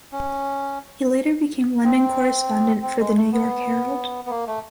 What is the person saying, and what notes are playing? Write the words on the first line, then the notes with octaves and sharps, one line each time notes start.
He later became London correspondent for "The New York Herald".
C#4
C4
C4
G#3
A3
B3
B3
A#3
A3